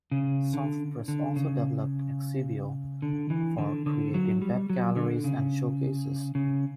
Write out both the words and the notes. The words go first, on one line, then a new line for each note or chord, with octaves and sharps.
Softpress also developed Exhibeo, for creating web galleries and showcases.
C#3
D3
D3
C#3
D3
E3
D3
D3
F#3
G3
F#3
D3
C#3
C#3